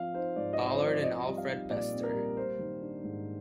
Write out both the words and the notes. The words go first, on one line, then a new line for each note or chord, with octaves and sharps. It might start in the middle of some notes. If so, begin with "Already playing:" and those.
Ballard and Alfred Bester.
Already playing: F3 C4 F5
D#4 C5
G#2 D5
D#5
C4
C5
F3
D5
C4 D#5
G3
F5
D#4
A#2 D5
C4
A#4
G3
A#3 C5
D#3
D4
G#2